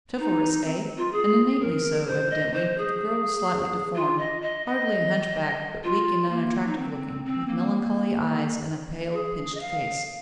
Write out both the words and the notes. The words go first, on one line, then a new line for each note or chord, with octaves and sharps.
Chivalrous--eh?--and innately so, evidently, for the girl was slightly deformed: hardly a hunchback, but weak and unattractive-looking, with melancholy eyes, and a pale, pinched face.
D#4
C4
F4
G#4
A#4
C5
D#5
C5
G#4
F4
D#5
D#5
D#5
F4
A#3
D#4
C4
C4
A#3
G#4
D#5
F5